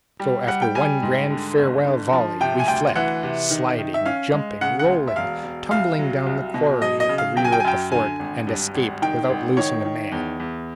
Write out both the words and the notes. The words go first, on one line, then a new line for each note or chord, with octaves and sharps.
So, after one grand farewell volley, we fled, sliding, jumping, rolling, tumbling down the quarry at the rear of the fort, and escaped without losing a man.
G3
G3 F#5
G5
G3 G#5
G#2
D3
G1
D3
F3
C3 G5
G#5
D2 G5
E3 F#5
C3
D#3
D#3
E5
C#4 F5
G#3
C#3 F#5
F#5
D2
E5
E1 F5
E1
C2 F5
F#3
C2
B2
F#3 D#5
D#5
C#3
F5
F#3 G5
G#5
G5
G#5
F#2 G5
D3 G#5
G#1
G2
G#1
D#3 G5
G#1
D#3 C#5
D#3
E2
E2